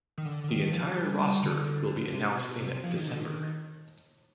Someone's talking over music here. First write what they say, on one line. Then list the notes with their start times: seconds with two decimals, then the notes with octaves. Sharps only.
The entire roster will be announced in December.
0.18 D#3
0.25 D3
0.44 D3
0.48 D#3
0.72 F3
0.96 G3
1.19 G3
1.43 D3
2.13 C3
2.37 B2
2.60 C3
2.84 F3
2.96 D#3
3.08 D3
3.20 D#3